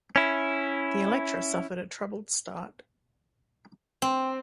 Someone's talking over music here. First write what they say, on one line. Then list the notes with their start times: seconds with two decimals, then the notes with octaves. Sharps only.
The Electra suffered a troubled start.
0.16 C#4 E4
4.02 C4